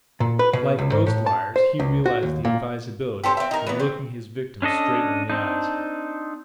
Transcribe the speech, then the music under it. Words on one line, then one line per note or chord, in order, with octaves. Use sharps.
Like most liars he realised the advisability of looking his victim straight in the eyes.
A#2
B4
B2
C#2
G#2
A2
A5
C5
C#2
F#4
D#2
A#2
G4 A4 C5
C4 E5
D#4 A#4
E3 B3
C4
C#4 D4 A4 D#5
C4 D4 D#4